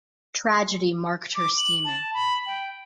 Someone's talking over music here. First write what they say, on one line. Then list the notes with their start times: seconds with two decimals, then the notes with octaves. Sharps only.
Tragedy marked her steaming.
1.36 D6
1.58 F#7
1.85 A5
2.14 B5
2.46 G5